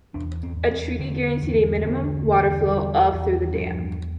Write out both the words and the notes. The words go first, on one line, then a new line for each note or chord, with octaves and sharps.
A treaty guaranteed a minimum water flow of through the dam.
E2 D4
C4
E2
C4
D3 C4
E2
D3 B3
E2 A3
E2 G3
E2
G2 F3